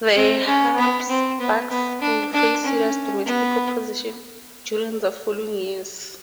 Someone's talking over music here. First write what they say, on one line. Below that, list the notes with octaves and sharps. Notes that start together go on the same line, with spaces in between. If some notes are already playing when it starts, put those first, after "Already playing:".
The Habsburgs would face serious domestic opposition during the following years.
C4
C#4
B3
C4
B3
B3
D4
D4
C#4
B3